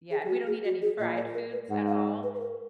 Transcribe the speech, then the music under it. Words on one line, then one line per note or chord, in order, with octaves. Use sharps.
Yeah, and we don't eat any fried foods at all,
G#4
G#4
F#4
G#4
F#4
G#4
A#2 D#5
D5
A#4
B4
G#2 F#5
F5
B4
B4
A#4